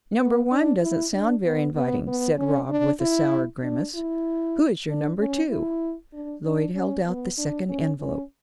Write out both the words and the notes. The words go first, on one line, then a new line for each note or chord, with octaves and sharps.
"Number one doesn't sound very inviting," said Rob, with a sour grimace. "Who is your number two?" Lloyd held out the second envelope.
B3
D4
E4
D4
B3
B3
B3
C#4
D4
E4
D4
E4
D4
C#4
E4
D4
D4
C#4
B3
D4
C#4
C#4